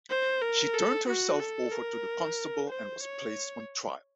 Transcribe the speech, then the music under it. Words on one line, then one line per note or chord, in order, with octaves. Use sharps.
She turned herself over to the constable and was placed on trial.
C5
A#4
A4
F#4
A4
A#4
C5
C#5